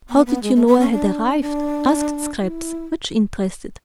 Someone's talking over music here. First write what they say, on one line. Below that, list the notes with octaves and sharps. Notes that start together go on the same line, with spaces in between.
"How did you know I had arrived?" asked Scraps, much interested.
B3
B3
G#3
A3
B3
C#4
D4
D4
E4